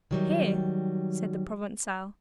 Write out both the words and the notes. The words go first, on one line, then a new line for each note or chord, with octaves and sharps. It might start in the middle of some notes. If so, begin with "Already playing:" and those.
"Here," said the Provencal.
D#3 F#3 G3